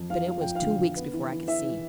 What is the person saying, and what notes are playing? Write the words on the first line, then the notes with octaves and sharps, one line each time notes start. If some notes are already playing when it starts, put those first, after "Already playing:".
But it was two weeks before I could see.
Already playing: F2
F3 F5
F3 F5
F2 G5
F5
D3
D3
B3
E3
E3
E3 E5
E3